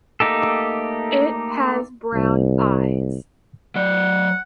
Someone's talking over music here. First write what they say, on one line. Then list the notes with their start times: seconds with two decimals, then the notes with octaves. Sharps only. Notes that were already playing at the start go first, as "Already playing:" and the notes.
It has brown eyes.
0.20 A3 A#3 D#4 G4 A4
2.14 C2
3.76 F#3 D5 F#5